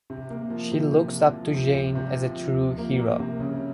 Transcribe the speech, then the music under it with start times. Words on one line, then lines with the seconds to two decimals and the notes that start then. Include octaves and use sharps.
She looks up to Jane as a true hero.
0.10 C3
0.30 A#3
0.50 F3
0.72 C3
0.92 C3
1.13 F3
1.33 F3
1.54 C3
1.75 C3
1.95 C3
2.17 F3
2.37 F3
2.58 F3
2.78 A#3
2.99 A#3
3.19 C3
3.40 C#3